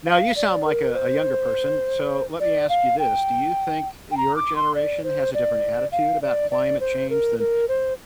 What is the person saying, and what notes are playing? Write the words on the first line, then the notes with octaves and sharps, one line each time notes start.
Now, you sound like a a younger person, so, let me ask you this, do you think your generation has a different attitude about climate change than
F5
D5
A#4
C5
D5
F5
G5
G5
A#5
D6
C6
D5
C5
D5
F5
D5
D5
C5
A#4
A#4
C5